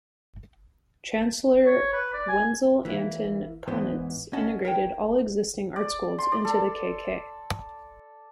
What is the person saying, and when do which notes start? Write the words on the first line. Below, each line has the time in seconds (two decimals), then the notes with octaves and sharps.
Chancellor Wenzel Anton Kaunitz integrated all existing art schools into the k.k.
1.66 C#5
1.93 B4
2.13 D5
2.29 G#5
2.85 E3 A#3 E4
3.68 E2 G#2 E3 B3 C5
4.33 C#4 D#5 F#5 A5
4.65 A#4 C#5 G5
5.76 D5
6.18 C6
6.32 D5
6.45 A4